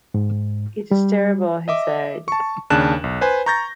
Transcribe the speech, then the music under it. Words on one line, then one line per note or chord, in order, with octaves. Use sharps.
"It is terrible," he said.
G#2
G3
D#5 E5 D6
A5 C#6
D#2 C#3 D4 A5 F#6 E7
B1
B4 C5 G#5
A#5 C#6 G6 A6 A#6